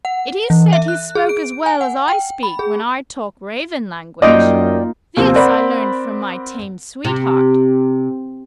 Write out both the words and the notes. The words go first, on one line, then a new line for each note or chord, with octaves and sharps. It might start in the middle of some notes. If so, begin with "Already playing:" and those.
It is said he spoke as well as I speak when I talk Raven language; this I learned from my tame sweetheart.
F#5
E3
E5
F#6
G#4
D7
G#5
F#5
G5
B5
G#4
F#2 A#3 D#4 F4 D5 D#5 G5 D#6
D#2 C3 F3 C4
C4 A#4 D5 F#5 B5
C3